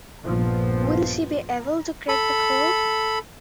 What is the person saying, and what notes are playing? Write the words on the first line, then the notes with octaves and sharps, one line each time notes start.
Will she be able to crack the code?
A#1 G2 A#2 F3 B3
A4 B5